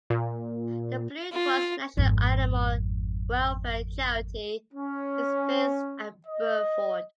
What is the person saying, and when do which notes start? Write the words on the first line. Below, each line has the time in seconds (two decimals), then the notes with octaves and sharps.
The Blue Cross National Animal Welfare Charity is based at Burford.
0.10 A#2
1.32 F4
1.97 G#1 F2
4.74 C#4
6.27 D#5